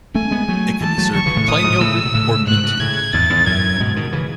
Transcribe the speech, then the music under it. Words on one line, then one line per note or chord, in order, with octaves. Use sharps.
It can be served with plain yogurt or mint yogurt.
A3 C#4 G#5
G#3 B3
F#3 A3
E3 G#3 A5
F#3 A3
D#3 F#3 C#6
C#3 E3
A2 C#3
A2 C#3 D#6
G#2 B2
B2
A2 C#3 E6
B2
A2 C#3
G#2 B2 F#6
D#3
A2 C#3
A2 C#3 G#6
E2 G#2 A6
E2 G#2
F#2 A2 G#6
G#2 B2
B2 D#3
C#3 E3